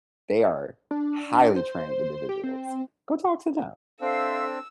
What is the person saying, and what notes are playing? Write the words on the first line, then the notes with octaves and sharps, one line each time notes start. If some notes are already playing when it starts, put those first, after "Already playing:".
They are highly trained individuals. Go talk to them."
D4
C5
G4
C4
C4 D4 A4 C5 E5 F5 E6